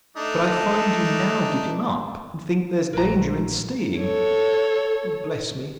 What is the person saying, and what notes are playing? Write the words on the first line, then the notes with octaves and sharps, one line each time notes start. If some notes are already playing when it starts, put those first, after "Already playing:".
But I find you now give him up, and think there's danger in staying.--Lord bless me!
A3 D4 D#4
A#1 A#4 B4 A#5
A4 C#5